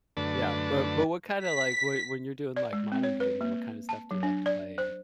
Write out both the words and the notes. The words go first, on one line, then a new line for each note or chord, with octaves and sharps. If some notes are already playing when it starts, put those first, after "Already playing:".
Yeah, but but what kinda like when when you're doing, like, modern gaming, what kind of stuff do you like to play in
F#2 D3 A3 D4 B4 A5
B6
D5
G#3
C4
C#5
B4
A#3
A5
F#3
D4
D5
C5